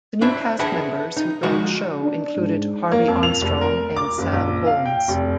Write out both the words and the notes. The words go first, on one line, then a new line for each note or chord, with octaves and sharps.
The new cast members who joined the show included Harvey Armstrong and Sam Holmes.
D4 E4 C5
E4 G#4 B4 E5 F#5 A5
D#4
F3 G#3 D#4 F#4 D5
D4
G#2
A#3
F2
F7
F1
A#4
D6
F#1
A#1
F5
G5
F1